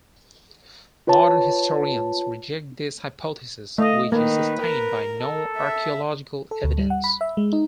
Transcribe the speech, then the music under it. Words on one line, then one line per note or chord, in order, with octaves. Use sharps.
Modern historians reject this hypothesis, which is sustained by no archaeological evidence.
F4 B4 C#5 A5
A3 D#5 F5
D#3 A#3 B4
A#4
A4
E5
A4
D2
G3
F#5
B5
E5
G#3
D#4